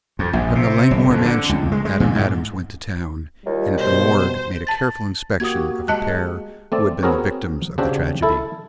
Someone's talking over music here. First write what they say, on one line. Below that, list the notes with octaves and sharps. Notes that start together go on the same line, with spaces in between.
From the Langmore mansion Adam Adams went to town, and at the morgue made a careful inspection of the pair who had been the victims of the tragedy.
F2
A#1
C3
F#1
F2
D3
C#2
G#3
G#3
A#2
G#2
D#2 G3 F4
B2 C5
A5 A6
A#3 F#4 G4 D#6 G#6
G#3 D#5 A5 F#6
A3 C4 D5
B3 C4 F#4 G#4 A#4 C#5
C#3 C4 D4 F#4 G4
E4 A4